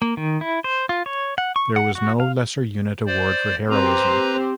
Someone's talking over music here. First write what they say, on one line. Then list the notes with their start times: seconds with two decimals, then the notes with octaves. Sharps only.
There was no lesser unit award for heroism.
0.02 A#3
0.17 D#3
0.41 E4
0.64 C5
0.89 F4
1.06 C#5
1.38 F#5
1.56 C#6
1.76 F#5
1.95 F#4
2.20 F5
3.06 C5 D5
3.70 C4 G4 B4 C5 A#5